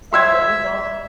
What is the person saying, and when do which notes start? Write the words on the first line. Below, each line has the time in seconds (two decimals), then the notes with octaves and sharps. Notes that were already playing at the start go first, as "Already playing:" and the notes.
so we both
0.13 E5 C6 E6 G#6